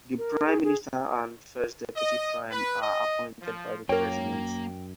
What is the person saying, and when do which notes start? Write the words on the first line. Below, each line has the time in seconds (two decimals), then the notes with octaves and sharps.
The prime minister and first deputy prime are appointed by the president.
0.18 A#4
0.47 G#4
0.64 G#4
1.96 D#5
2.51 B4
2.81 D#5
3.42 F3
3.89 F#2 A#3 A#4 C#5 G5